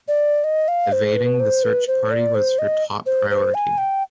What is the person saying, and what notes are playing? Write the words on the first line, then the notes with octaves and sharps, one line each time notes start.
Evading the search party was her top priority.
D5
D#5
F5
C5
B4
C5
B4
C5
D5
C5
D#5
C5
C5
G#5
G5